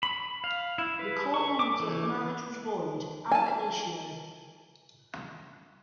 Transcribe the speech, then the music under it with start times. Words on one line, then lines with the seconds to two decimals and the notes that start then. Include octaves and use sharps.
The Court ruled that the marriage was void "ab initio".
0.03 B5
0.44 F5
0.78 E4
0.99 B4
1.34 C#6
1.59 D6
1.80 E3
3.32 G#5 A5